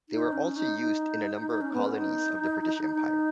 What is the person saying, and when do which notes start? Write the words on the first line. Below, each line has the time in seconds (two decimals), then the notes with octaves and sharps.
They were also used in a number of colonies of the British Empire.
0.09 D#4
0.33 C#4
0.56 D#4
0.79 D#4
1.50 D#4
1.61 C#4
1.73 B3
1.85 C#4
1.96 D#4
2.90 D#4